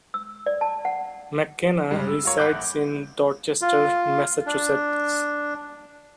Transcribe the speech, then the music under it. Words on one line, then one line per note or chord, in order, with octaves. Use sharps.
McKenna resides in Dorchester, Massachusetts.
E6
D5
A5
F#5
G2 C#3 G3 G#3
E6
F4 A#4 C#5
F#5 B5 D6 F#6 G6
A#1
F4
D4